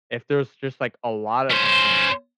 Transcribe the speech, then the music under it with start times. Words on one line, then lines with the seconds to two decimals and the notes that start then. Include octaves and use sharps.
if there's just, like, a lot of them, and
1.51 C#4 C5